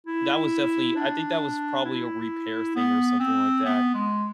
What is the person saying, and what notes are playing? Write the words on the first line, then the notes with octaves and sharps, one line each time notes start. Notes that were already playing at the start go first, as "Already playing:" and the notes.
that was definitely I think that was probably a repair thing or something like that
E4
D4
E4
B3
C4
B3
G#3